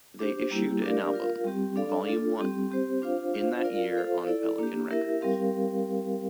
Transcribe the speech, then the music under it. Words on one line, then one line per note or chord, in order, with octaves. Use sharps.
They issued an album, "Volume One", in that year on Pelican Records.
D4 G4 C5
G3 A#3 E4 G4
D4 G4 A#4 D5 F5
F4 A#4 F5
G3 C4 G4
D4 A4 D5 F5
D4 F4 A4
G3 C4 G4
C4 G4 C5
D4 F4 C5 F5
D4 F4 C5 F5
F4 A#4 D5 F5
F4 A4 C5 F5
E4 A4 D5
A#3 D4 G4
E4 G4 A#4 E5
G3 C4 G4 A#4 F5